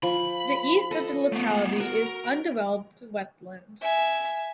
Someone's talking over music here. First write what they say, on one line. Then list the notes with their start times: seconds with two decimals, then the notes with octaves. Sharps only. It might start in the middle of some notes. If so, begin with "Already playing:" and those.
The east of the locality is undeveloped wetlands.
0.03 F3 B5
0.91 A4 D#5
1.32 A3 B3
1.80 F#4 A#4
3.82 E5 G#5